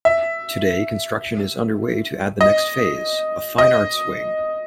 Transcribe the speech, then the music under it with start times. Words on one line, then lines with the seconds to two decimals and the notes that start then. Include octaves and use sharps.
Today, construction is underway to add the next phase; a Fine Arts wing.
0.05 E5
2.41 D#5
3.58 D#5